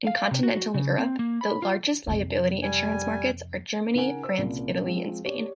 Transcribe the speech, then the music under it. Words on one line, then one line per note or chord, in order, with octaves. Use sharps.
In continental Europe, the largest liability insurance markets are Germany, France, Italy and Spain.
F5
C3
F#4
C#3
C4
A#3
B5
F4
F2 C3
G3 G#5
C#3 D#4 A#4 F#5 G#5 D7
C5 E6
C2 A#2 C#3
F3 G#3 C4
G4 C#5 D5